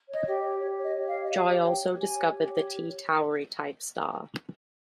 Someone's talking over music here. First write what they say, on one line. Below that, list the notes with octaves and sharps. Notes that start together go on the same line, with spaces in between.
Joy also discovered the T-Tauri type star.
C#5
D#5
G4
C#5
G4 C#5
C#5
D#5
G4
F5
C#5
D#5
G4 F5
C#5
G4 G5
C#5
G4 G#5
C#5
G4
C#5